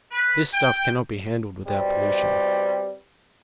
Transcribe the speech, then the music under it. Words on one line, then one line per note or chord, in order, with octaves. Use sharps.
This stuff cannot be handled without pollution.
B4
G5
B2 G3 C4